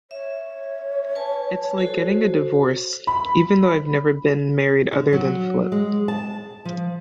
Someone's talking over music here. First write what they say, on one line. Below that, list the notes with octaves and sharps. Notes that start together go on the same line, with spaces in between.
It's like getting a divorce; even though I've never been married other than Flip.
C#5 E5
B4 G#5 A5
F#4 A4 C5
B5
D3
F#3
G#3
A5
F3